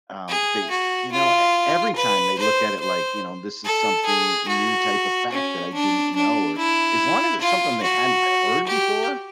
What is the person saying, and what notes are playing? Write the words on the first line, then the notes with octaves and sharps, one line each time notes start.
Um, they, you know e every time they look at it, like, you know this is something new type of fact that I didn't know or as long as it's something they hadn't heard before
G#4
F#4
F4
B4
C5
C5
A4
G#4
F#4
C#4
D4
D4
E4
F4
F#4
G4